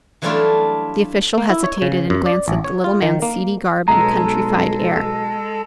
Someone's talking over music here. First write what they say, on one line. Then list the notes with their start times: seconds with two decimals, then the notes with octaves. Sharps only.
The official hesitated, and glanced at the little man's seedy garb and countryfied air.
0.22 E3 F#3 G3 A3 D4 F4
1.38 A#3
1.50 E4
1.64 C#5
1.82 C#3
2.10 F#2
2.26 D5
2.48 A1
2.64 C#5
2.84 F4
3.02 D#3
3.22 A#3
3.88 B1 G#3 A4 A#5